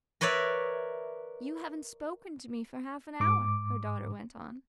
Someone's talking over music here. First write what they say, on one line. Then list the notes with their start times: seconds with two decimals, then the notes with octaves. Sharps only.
"You haven't spoken to me for half an hour," her daughter went on.
0.21 A#4 B4 C#5 D5 E5
3.20 G#2 D6